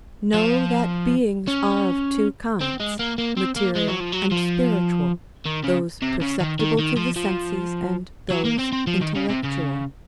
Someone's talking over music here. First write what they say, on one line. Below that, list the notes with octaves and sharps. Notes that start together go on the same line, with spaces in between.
Know that beings are of two kinds: material and spiritual, those perceptible to the senses and those intellectual.
F3
C#4
C4
G#3
A#3
A#3
C4
A#3
G#3
F#3
F3
F#3
F3
D#3
C#3
C3
C#3
D#3
D#3
D#3
F3
F3
F#3
A#3
C4
C4
F3
D#3
C#3
C3
C#3